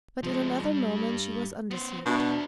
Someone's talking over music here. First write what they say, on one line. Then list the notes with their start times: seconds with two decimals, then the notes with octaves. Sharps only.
But in another moment she was undeceived.
0.23 F3 G#3
0.61 G2 G3
1.71 B3 C5
2.06 B2 D4 F#4 E5